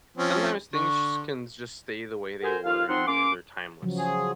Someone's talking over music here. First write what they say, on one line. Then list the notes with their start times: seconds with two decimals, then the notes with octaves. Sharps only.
Sometimes things sh can just stay the way they were and th they're timeless,
0.17 F3 C4 C#4
0.73 D3 C#6
2.43 F#4 A4 A#4 C5 G#5
2.64 D#2 F4 F5
2.89 F3 C4 D#4 F#5 C6
3.07 A#3 C#4 C6 D6
3.83 C#3 F3 F#3
3.98 G#4